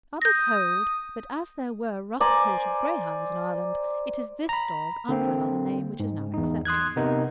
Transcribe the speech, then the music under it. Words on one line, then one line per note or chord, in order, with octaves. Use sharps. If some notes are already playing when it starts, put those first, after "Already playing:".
Others hold that as there were rough-coated Greyhounds in Ireland, it is this dog, under another name, which is now accepted.
D#6 G6 A#6
C5 D5 G#5 A#5
A#5 B5
D3 A#3 C4
G#2
E2 D#4
C6 D#6 F#6 G#6
C3 B3 D#4 A#4